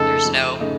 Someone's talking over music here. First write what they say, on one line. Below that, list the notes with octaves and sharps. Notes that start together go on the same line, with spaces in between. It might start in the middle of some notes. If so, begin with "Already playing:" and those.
There's no
Already playing: F2 C#3 A3 D#4 A4
F2
C#3 A3 D#4